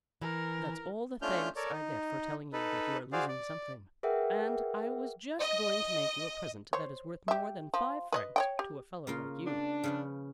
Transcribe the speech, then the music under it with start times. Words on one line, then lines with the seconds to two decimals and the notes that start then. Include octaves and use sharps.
"That's all the thanks I get for telling you that you are losing something, and I was just going to make you a present that is worth more than five francs to a fellow like you."
0.21 E3 A#4
1.22 A3 C#4 D4 F4 F6 G6
1.56 A4 A#4 C#5 D5
1.72 D#4
2.53 D#4 A4 B4
3.13 F#4 G#4 C5 D5 F5
3.28 D5
4.03 G#4 A#4 B4 E5 F#5 G5
5.39 D#5
6.73 C5 C#5
7.28 G4 E5
7.74 F3
8.12 B4 C#5 D#5
8.36 C#5 D#5 G5
8.59 G4
9.07 C#3 A#3 F4
9.46 D4
9.84 C#3 F3 B4